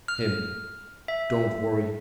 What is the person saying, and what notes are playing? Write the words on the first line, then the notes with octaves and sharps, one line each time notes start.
HIM: Don't worry.
F6
E5